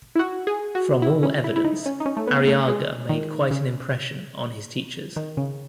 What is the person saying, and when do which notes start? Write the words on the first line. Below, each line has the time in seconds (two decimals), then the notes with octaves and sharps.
From all evidence, Arriaga made quite an impression on his teachers.
0.15 E4
0.19 F#4
0.47 G#4
0.75 F#4
1.02 E4
1.23 C#4
1.44 E4
1.56 E4
1.64 D#4
1.86 C#4
2.00 D#4
2.06 C#4
2.17 A3
2.27 B3
2.47 A3
2.68 G#3
3.09 D#3
3.51 C#3
5.16 D#3
5.37 C#3